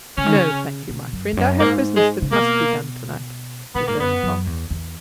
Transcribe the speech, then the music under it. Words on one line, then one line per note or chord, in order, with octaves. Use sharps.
"No, thank you, my friend; I have business that must be done tonight," said Bonaparte.
C#3 C#4
D#3
C#3
B2
F#2
E2
F#2
G#2 A#3
G#3
C#3
B2 A#3
B2 B3
G#2 A#3
F#2 B3
F#2
E2
E2